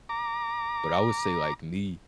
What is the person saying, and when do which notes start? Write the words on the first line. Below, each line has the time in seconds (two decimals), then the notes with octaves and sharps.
but I would say like me,
0.09 A#5 D6